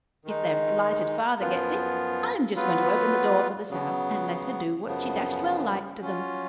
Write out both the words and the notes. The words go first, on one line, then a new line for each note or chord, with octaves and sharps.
If their blighted father gets in, I'm just going to open the door for the sow, and let her do what she dashed well likes to them.
D#3 G#3 D#4
F#2 F3 B3 F4
F#3 B3 F4 B4
C#3 F#3 B3
F#2 C#3 F3 B3
F#3 C#4 F4